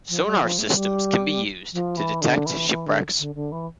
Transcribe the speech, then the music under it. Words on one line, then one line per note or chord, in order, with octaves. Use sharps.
Sonar systems can be used to detect shipwrecks.
F3
G3
E3
F3
A3
G3
F3
E3
D3
E3
E3
D3
D3
D3
E3